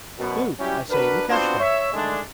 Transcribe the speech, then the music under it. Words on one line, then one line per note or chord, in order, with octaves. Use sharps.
'Luke, I say, Lukashka!
F#2 B2 F#5
F#3 G3 C#4 E4 G4
D4 F#4 A#4 B4
B3 C4 D4 F4 F#4 C5
C#5 E5
D3 D#3 G#3 A3 D4